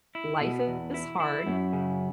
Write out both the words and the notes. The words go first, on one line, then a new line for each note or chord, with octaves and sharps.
life is hard,
E4
B2
E2
E4
E4
F#2
C#3